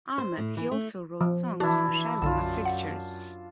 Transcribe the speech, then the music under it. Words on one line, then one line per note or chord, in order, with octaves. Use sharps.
Ahmed, he also wrote songs for Shalimar Pictures.
C5
A2
E3
A3
F3
E3 D4 E4 F#4
E3
B1 F#2 D3 F4 E6
F#5